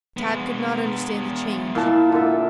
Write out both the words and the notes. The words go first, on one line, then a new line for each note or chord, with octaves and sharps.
Tad could not understand the change.
G#3 B3
A#2 E4 A5
D3 A#4 E5